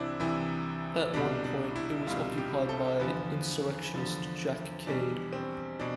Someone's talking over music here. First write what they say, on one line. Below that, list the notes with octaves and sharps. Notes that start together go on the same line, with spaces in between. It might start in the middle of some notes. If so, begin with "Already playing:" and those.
At one point it was occupied by insurrectionist Jack Cade.
Already playing: C2 C3 E3 C4 D4 E4
C2 C3 E3 E4
C2 B2 G3 D4
D4
E4
C2 B2 G3 F4
G4
A4
E2 D3 F3 B4
E2 D3 F3
E2 B2 G3 D4
C4
B2 D4